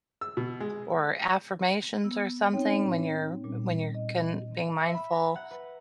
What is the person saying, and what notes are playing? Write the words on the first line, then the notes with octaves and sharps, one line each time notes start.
or affirmations or something when you're when you're con being mindful,
E6
B2
G#3
B3 E6
C4 C#4 D#4 C#5 G5
A2
A#2 G3
D#5
E5
B5
A#5
F#5
B4